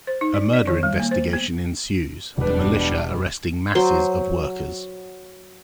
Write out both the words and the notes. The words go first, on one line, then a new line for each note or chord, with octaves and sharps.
A murder investigation ensues, the militia arresting masses of workers.
C5
D#4
D5
D5
D#3
G3
A#3
C5
B3
E1 B2 G3 D4 B4
F#3 C5 C6